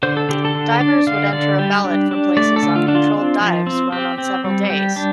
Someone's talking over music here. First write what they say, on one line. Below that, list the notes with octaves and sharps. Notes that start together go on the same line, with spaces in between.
Divers would enter a ballot for places on controlled dives run on several days.
D3 C5
A4
D3 G4
A4
D3
D4 D5
D3 F5
D3 D5
G3 G4
D4
D4
A3 D5
A4
D3
F4
D4
F4
C4
F3
C4
C4 G4
C4
G3
G3 G4
D4